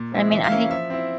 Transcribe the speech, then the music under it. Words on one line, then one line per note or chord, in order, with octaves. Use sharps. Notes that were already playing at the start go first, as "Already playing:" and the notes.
I mean, I think
Already playing: A#2
F3 C4 E4
E3 E5
F5
A#3 C#4 E4
F3 E5
C4 E4